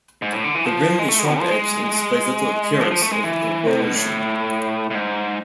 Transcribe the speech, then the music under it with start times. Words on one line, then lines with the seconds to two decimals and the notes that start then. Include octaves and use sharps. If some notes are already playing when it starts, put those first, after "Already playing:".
The rim is sharp-edged and displays little appearance of erosion.
0.22 G#2
0.33 A2
0.44 D3
0.55 E3
0.65 F3
0.99 G#3
1.08 A3
1.19 G#3
1.29 B2
1.40 F3
1.51 G#3
2.81 F3
2.91 F3
3.02 A3
3.12 G#3
3.23 E3
3.67 C3
3.81 B2
3.95 A2
4.90 A2
4.95 G#2